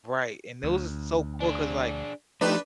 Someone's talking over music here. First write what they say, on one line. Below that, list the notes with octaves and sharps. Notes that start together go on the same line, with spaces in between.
Right. And those are so cool 'cause, like,
D2
D4 G#4
F3 A3 D4 D#4 G4 B4